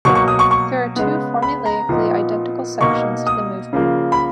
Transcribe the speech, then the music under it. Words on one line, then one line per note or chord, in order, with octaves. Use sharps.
There are two formulaically identical sections to the movement.
B2 F#3 A#3 C#6
C#6
D#6
C#6
C#6
C#3 G#3 B3
B5
A#5
A#2 F3 B3 D#4
B2 A#3 D#4 C#6
D#6
C#3 F3 A#3
B5